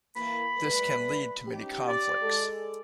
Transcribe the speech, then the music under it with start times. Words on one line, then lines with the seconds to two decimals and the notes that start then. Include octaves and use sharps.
This can lead to many conflicts.
0.16 E3 A#3 B5
0.58 G3 A3 B4
1.47 C#4 D#4 G4
1.88 D5
2.21 G#3 A4